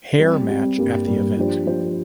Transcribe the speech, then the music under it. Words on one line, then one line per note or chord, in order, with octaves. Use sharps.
Hair match at the event.
G3 C4 G4
G3 C4 G4
G2 G3 A#3
G2 G3 A#3
F3 D4 G4 C5
F3 D4 G4 C5